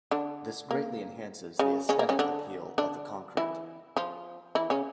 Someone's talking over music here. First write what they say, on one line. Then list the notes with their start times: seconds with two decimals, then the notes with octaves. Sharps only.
This greatly enhances the aesthetic appeal of the concrete.
0.11 D3 D4
0.71 A#3
1.59 C#3 C#4
1.89 C#3 C#4
1.99 A#3
2.09 C#3 C#4
2.19 D3 D4
2.78 D3 D4
3.37 E3 E4
3.97 F3 F4
4.55 E3 E4
4.70 C#3 C#4